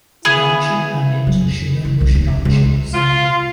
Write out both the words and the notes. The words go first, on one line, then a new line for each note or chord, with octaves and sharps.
The township contains Sugar Bush Township Cemetery.
B3 E4 G#4
F#3
F2
E3
C2
D#2
C#4
C#2
F4